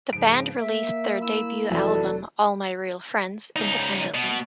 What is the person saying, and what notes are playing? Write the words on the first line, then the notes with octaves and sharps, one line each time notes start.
The band released their debut album "All My Real Friends" independently.
G#2 C#3 F3 D7
A#3 E5
E4 B5 E6
F1 E3 F#3 A4 D5
C#2 D#4
B2